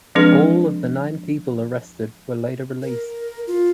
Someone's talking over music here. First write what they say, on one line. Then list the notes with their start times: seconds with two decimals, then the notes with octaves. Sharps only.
All of the nine people arrested were later released.
0.15 F3 G#3 C4 D4 G#4 B4
2.83 A#4
3.47 F4